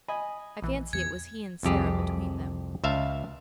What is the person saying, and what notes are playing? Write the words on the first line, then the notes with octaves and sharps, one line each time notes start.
I fancy it was he and Sarah between them.
D#5 G#5 B5
A#1 E3
E2 E3 B3 G#6 C#7
C2 F2 G4 G#4
C#2 E5 F5 A5